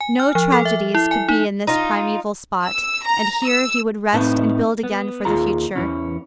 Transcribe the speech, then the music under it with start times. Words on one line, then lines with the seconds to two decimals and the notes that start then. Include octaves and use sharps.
No tragedies could be in this primeval spot, and here he would rest and build again for the future.
0.01 G#5
0.20 F6
0.35 F3
0.52 A4
0.65 E5
0.95 E4
1.11 G#5
1.29 D#4
1.67 D#4 F4
2.65 E6
3.05 A#5
3.45 E6
4.13 A2 C4 D#4 B4 A5
4.83 B3
5.25 D#2 F4 G#4 A#5
5.75 E2 G#2 E3 C#4